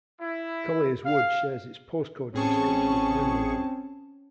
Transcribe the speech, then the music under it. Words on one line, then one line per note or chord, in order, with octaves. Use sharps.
Colliers Wood shares its postcode district with Wimbledon.
E4
F5
A1 C4 C#4 G#4 A5 C#6